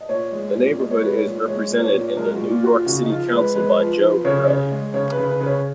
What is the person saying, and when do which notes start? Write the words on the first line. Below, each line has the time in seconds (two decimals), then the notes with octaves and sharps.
The neighborhood is represented in the New York City Council by Joe Borelli.
0.01 D#5
0.09 A#2 C#5
0.32 G#3
0.55 A#2
0.78 G#3 D#5
0.91 C#5
1.02 G#3 B4
1.14 C#5
1.25 A#2
1.48 G#3 C#5
1.70 A#2 B4
1.82 C#5
1.94 A#2
2.17 G#3 A#4
2.30 F4
2.34 F#4
2.40 A#2
2.52 F4
2.63 A#2 F#4
2.69 F4
2.86 C#3 F#4
3.03 D#4
3.09 F3 F4
3.32 G#3 B4
3.56 G#3 B4
3.79 F3
4.02 F3
4.25 C#3 C#5
4.48 C#3
4.71 G#3
4.94 C#3 C#5
5.12 B4
5.17 C#3
5.29 B4
5.40 C#3 B4
5.46 C#5